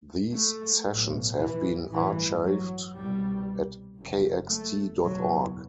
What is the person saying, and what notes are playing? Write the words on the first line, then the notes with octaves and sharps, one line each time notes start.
These sessions have been archived at kxt dot org.
A3
A2
B1
E3
A1 G2 E3
F#3
C2 B2 G3
F#1 F#2
A3
F#1 E2 B2 F#3